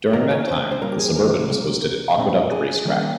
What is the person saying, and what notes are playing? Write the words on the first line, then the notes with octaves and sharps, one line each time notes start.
During that time, the Suburban was hosted at Aqueduct Racetrack.
D#3 A#3 D#4 A#4
C#5
C5
C5
A#2 G3 A#3 C#4 A#4
G4
G#4
A#4
C3 G3 A#3 C#4
A#2 G#3 C4 D#4
G#4
D#3 G3 A#3 C#4